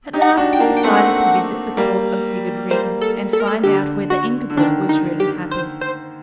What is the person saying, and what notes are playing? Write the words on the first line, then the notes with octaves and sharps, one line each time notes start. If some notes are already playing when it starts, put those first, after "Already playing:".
At last he decided to visit the court of Sigurd Ring and find out whether Ingeborg was really happy.
D#4 G4
F#5
G4
D4 F#4
G5
A#3 D4
G5
A3 C4 F#5
G3 A#3
G3 A#3 C5
A4
A4
A#4
A4
D3 G4
F#4
D3
D#3 D4
D#4
G4
C5
C5